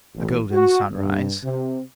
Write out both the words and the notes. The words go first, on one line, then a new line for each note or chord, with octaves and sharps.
A golden sunrise.
A1
F#4
G2
C3